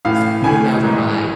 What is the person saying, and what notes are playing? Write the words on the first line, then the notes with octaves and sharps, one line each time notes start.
just being outside,
A1 A2 E3 F5
A1 A2 E3 G#5
G#1 G#2 E3